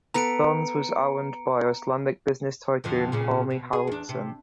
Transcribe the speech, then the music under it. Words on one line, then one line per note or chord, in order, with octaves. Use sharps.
Fons was owned by Icelandic business tycoon Palmi Haraldsson.
B3 A4 B4 A#5 C#7 D7
F2 D3 F3
A#2 C#3 F3
B2
G#4
E2 D4
C3